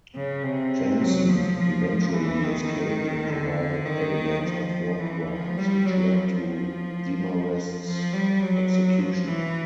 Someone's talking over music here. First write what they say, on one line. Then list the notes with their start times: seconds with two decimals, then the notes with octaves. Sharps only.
Janson eventually escaped and provided evidence of war crimes, which led to Demarest's execution.
0.16 C#3
0.43 C3
1.01 F#3
1.29 F3
1.58 F3
2.15 E3
2.44 D#3
3.29 D3
3.86 D#3
4.43 F3
5.00 E3
5.29 F3
5.57 G3
5.85 F#3
6.14 F3
7.85 F3
8.13 G3
8.41 F#3
8.99 F3
9.28 E3